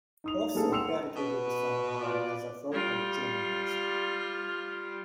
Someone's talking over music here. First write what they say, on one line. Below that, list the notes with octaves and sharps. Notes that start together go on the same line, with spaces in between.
Also dedicated some time as a Photo Journalist.
D#4 D#6 F7
G3 A3 A#3 D#4 G#4 A4
F#5 G5 C6 E6 C#7 F7
B2 B4
F4 D5
G3 F4